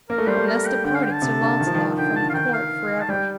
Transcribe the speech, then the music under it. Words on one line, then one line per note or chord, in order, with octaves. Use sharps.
And thus departed Sir Launcelot from the court for ever.
A#3 A#4
A3
G3 C5
A3
A#4
G5
D3 G5
F5
G5
A5
C3
D3
D#3
F3
D#3
D3 G5
D3 A5
F5
D#3 G5
F5
A5
G3 G5